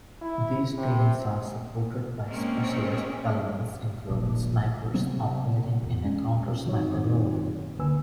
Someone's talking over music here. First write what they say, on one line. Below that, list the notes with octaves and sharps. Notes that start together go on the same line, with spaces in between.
These teams are supported by specialist elements including snipers operating in a counter-sniper role.
E4
C3
G#3 A#3 C4 C#4
D#1 A#1 D#2
C3 F#3 B3 C4
C3
D#1 E2
G#3 C#4
F#2 D#3 F#3 C4 D#4 C#5
D2 D3 A#3 B4 G#5 E6